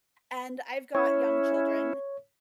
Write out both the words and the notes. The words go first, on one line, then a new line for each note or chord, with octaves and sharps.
And I've got young children,
C#4 E4 C#5